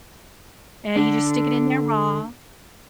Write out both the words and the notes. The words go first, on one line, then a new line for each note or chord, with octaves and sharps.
Eh, you just stick it in there raw
D3 D4